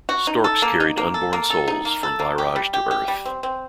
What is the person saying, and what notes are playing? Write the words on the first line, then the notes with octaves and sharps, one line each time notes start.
Storks carried unborn souls from Vyraj to Earth.
F#4
D#4
A4
A#3
D#4
A#3
A4
A#3
A4
D#4
A#3
A4
A#3
G4
G3
G4
G4
G3
C4
C4